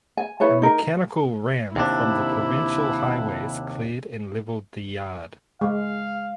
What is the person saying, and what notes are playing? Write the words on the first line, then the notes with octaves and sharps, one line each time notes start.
A mechanical ram from the Provincial Highways cleared and leveled the yard.
G#5
E4 B4 C#5 A5
D#4 A#4
D#2 C3 D4 E4
G#3 F5